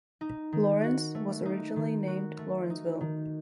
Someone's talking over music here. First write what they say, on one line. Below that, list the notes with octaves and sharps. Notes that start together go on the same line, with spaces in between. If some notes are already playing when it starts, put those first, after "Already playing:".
Laurens was originally named Laurensville.
D#4
D#3
F#4
A3
D#4
D#3
F#4
A3
D#4
D#3